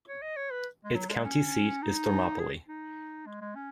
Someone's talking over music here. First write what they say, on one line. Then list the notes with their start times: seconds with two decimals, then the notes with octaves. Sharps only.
Its county seat is Thermopolis.
0.08 C#5
0.22 D#5
0.36 C#5
0.51 B4
0.85 G#3
0.95 F#3
1.09 G#3
1.24 C#4
1.82 D#4
2.39 G#4
2.68 D#4
3.26 G#3
3.41 G#3
3.56 C#4